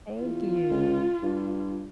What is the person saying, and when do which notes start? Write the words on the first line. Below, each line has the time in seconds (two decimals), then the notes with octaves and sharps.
Thank you.
0.21 E2 F4
0.71 C#2
1.22 G2